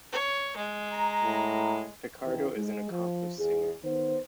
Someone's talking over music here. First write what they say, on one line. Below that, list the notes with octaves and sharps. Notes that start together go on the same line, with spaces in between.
Picardo is an accomplished singer.
C#5
G#3
A#5
A2
E2 D#3 E3
G#3
F3
E2 G#4
D#3 B3 C5